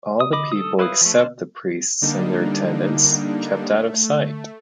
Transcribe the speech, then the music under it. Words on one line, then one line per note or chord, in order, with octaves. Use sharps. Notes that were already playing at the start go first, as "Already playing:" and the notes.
All the people except the priests and their attendants kept out of sight.
D#6
D#5 B5 D6
A4 D#6
E4 B4 F5 D#6
F3 A3
C#4 D4 C5
D3 G3 A#3 D4 D#4
A3